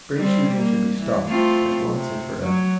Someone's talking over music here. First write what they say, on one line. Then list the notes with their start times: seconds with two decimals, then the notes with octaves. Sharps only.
Spring shooting should be stopped, at once and forever.
0.17 G3 C4
0.57 A#3
0.98 E3
1.27 A3 C4 F4
1.94 C3
2.42 F#3